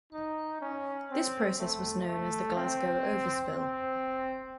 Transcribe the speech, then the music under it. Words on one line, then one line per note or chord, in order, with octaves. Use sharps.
This process was known as the "Glasgow overspill".
D#4
C#4
C4
A3
A3
C4
C4